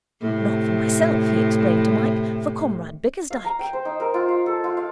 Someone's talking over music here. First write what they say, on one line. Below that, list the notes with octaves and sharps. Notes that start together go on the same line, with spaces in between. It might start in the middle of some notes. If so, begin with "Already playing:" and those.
'Not for myself,' he explained to Mike. 'For Comrade Bickersdyke.
A2 C3
F5
A#5
G5
C5
D#4
A#4
F4
F5
A4
F4
F5